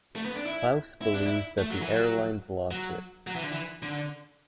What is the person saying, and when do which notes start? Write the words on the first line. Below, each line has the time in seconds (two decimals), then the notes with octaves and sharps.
Klaus believes that the airlines lost it.
0.16 A3
0.25 B3
0.36 D4
0.46 E4
1.02 E4
1.14 D4
1.26 E4
1.58 A3
1.70 F#3
1.82 E3
1.93 F#3
2.71 F#3
3.27 F#3
3.35 E3
3.43 D3
3.51 E3
3.83 D3